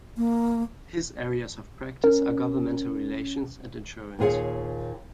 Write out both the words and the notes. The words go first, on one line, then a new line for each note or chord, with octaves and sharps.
His areas of practice are governmental relations and insurance.
A#3
C#4 A#4
D#2 A#2 F4 G#4 C#5